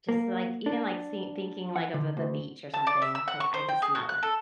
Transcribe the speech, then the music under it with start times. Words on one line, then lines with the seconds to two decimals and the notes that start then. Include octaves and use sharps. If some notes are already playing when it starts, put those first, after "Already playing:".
Just, like even, like, see thinking, like, of the beach or something. Like, I could smell it,
0.09 A#3
0.66 D4
1.76 F#5
1.94 D3
2.17 D2
2.74 A5
2.87 D5
3.02 E5
3.15 E6
3.28 F#5
3.40 C#6
3.54 C5
3.69 G5
3.82 G#4
3.95 F#4
4.09 F#6
4.23 A4